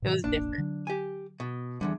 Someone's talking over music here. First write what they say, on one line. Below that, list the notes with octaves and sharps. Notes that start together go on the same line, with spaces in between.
it was different.
A2 C3 E3
E1 A1 A#3 D4
D3 F#3
G4 G#5
B2
E2 G2 D3 G3